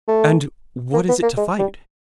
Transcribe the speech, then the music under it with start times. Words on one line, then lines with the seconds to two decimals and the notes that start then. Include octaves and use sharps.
'And what is it to fight?'
0.08 A3
0.94 A#3
1.09 B3
1.23 A#3
1.37 G#3
1.59 G3